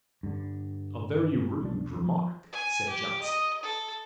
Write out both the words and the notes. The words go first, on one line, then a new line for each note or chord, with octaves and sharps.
"A very rude remark," said Johnson.
G2 D3
B1 D4
F3
G#5
G4
D#5
A4